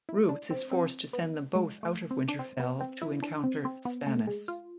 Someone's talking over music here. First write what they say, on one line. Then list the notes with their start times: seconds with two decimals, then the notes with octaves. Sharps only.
Roose is forced to send them both out of Winterfell to encounter Stannis.
0.09 E4
0.29 D4
0.51 C4
0.71 C4
1.13 B3
1.55 G#3
1.83 A3
2.11 C4
2.28 D4
2.39 C4
2.60 B3
2.81 C4
3.02 E4
3.22 D4
3.44 C4
3.65 C4
3.85 B3
4.07 A3
4.27 G#3
4.48 F4